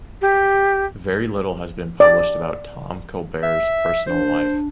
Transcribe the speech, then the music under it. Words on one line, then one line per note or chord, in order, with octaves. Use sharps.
Very little has been published about Tom Colbert's personal life.
G4
D5
E5
D4 C5